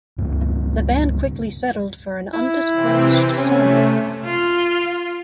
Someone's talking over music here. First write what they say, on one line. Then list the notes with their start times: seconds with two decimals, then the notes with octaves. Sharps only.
The band quickly settled for an undisclosed sum.
0.18 C#2 G2
2.33 E4
2.70 C3 E3 C4
3.37 C3 A3 C#4
4.25 F4